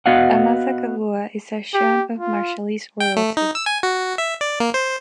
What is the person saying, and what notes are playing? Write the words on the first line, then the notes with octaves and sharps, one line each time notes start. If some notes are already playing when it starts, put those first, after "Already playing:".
Amata Kabua is a scion of Marshallese royalty.
B3 F#4 D#5 F5 F#5
G4
F4
G5
A3
D#4
E6
G#5
F#4
E5
D5
A#3
C5